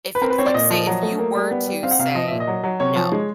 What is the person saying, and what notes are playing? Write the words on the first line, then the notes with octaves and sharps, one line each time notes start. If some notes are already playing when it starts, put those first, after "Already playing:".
If if, like, say If you were to say, "No."
B4
C4 A#4
B4
C4 C#5
D5
A#2 D#5
F3
F#3
A3
A#3
G3
B3
G3
C4 F5
F#5
C3 F5
F3 D#5
A#2 E5
D#5
F#3
F#3
C3 C#5
F3
G#3